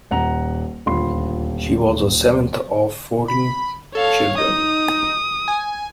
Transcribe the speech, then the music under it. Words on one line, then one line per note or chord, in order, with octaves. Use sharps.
She was the seventh of fourteen children.
D#1 F#5 A#5 F7
D#1 D2 F4 B5 C6
B5
A4 C#5 F5
D#4 D#6
G#5